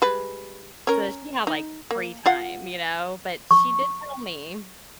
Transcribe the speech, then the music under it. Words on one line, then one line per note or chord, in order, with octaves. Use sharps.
So, she had, like, free time, you know? But she did tell me
G3 G#3 B4
C#4 A#4
D#4
A#3
F4 F5 F#5
C#6